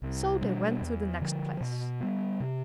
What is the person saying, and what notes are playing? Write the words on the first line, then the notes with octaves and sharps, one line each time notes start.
So they went to the next place.
C2
B2 G3 D4
E2
D3 F3
B2
G3 B3
C3